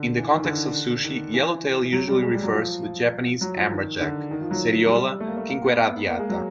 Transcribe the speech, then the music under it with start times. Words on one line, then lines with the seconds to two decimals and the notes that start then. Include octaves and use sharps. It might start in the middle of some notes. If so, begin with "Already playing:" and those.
In the context of sushi, yellowtail usually refers to the Japanese amberjack, "Seriola quinqueradiata".
Already playing: D3
0.18 E3
0.31 D#3
0.45 D3
1.04 D#3
1.34 E3
1.93 F#3
2.08 G3
2.23 G#3
2.33 G3
2.43 F#3
2.52 F3
2.83 F3
3.41 F#3
3.56 F3
3.71 D#3
4.01 D3
4.31 D#3
4.41 F3
4.51 F#3
4.86 F#3
4.91 G3
5.20 A3
5.28 A#3
5.37 A3
5.50 A#3
5.64 B3
5.80 B3
6.09 A#3
6.19 G#3
6.30 F#3